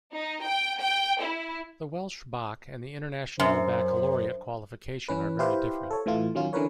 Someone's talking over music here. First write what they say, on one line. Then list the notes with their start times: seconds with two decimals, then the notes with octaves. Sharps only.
The Welsh Bac and the International Baccalaureate qualification are very different.
0.14 D#4
0.45 G5
0.80 G5
1.23 E4
3.40 F#2 C5
5.08 E3 C#4 B4
5.39 E4 G4 B4 C5 F5
5.91 A4 C#5
6.06 A2 E3 A3 F4
6.35 D#3 F#3 C#4 F4
6.53 D3 E3 C#4 A#4 B4 C#5